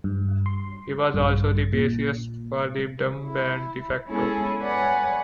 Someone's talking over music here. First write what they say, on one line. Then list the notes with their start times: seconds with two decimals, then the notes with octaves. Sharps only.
He was also the bassist for the dub band De Facto.
0.04 G2
0.46 C6
1.14 A#1 G2
1.73 A#2
3.23 E4
4.07 G#3 B3 C#4 E4 G#4 A4
4.61 B4 C#5 D5 F#5 G#5